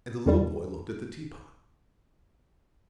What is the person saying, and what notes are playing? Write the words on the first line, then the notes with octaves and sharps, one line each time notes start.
And the little boy looked at the tea-pot.
E2 D#3 G3